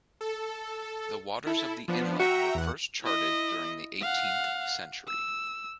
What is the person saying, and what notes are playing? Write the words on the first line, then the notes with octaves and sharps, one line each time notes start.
The waters of the inlet were first charted during the eighteenth century.
A4
E4 A4
F3 B3 D4
F#4 E5 G5 A#5
E2 F#5
E4 D#5
F5 F#5
E6